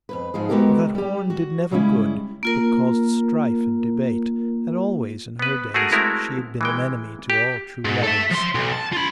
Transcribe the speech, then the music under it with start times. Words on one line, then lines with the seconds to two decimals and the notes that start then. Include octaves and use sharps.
For that horn did never good, but caused strife and debate, and always in her days she had been an enemy to all true lovers.
0.09 F2 G#2 B4
0.34 G#2 F3 G#3 G#4
0.49 G#3 B3 F#4 G4 A4 A#4
0.95 G3 G4
1.30 F#4
1.71 C#3 G3 G#3 C#4 E4
2.43 A#3 F4 A#4
5.39 B3 B4
5.74 A3 F#4 G#4 A#4
5.92 G#3 A3 C4 E4 F#4 A#4
6.61 E3 G#3 G5
7.30 G4
7.85 G#2
8.03 A4 E5
8.31 F3 C6
8.55 B1
8.73 A5
8.93 F4 B5